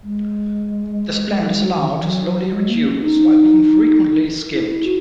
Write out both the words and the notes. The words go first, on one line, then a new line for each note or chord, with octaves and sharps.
This blend is allowed to slowly reduce while being frequently skimmed.
G#3
F#3
G#3
F#3
D#3
E3
F#3
G#3
A#3
C#4
D#4
E4
E4
F#4